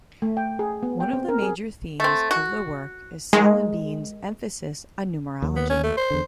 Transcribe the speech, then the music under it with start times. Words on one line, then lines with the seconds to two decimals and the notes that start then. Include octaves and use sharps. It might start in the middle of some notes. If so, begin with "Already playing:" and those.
One of the major themes of the work is Salimbene's emphasis on numerology.
0.22 A3
0.37 G5
0.59 G#4
0.83 B3
1.00 G5
1.13 C4
1.29 A#4
1.42 G#4
2.00 A3 C4
2.31 F#4
3.33 D#3 G#3
5.42 D#2
5.56 B3
5.70 C#4
5.84 A3
5.97 C5
6.10 E2 D3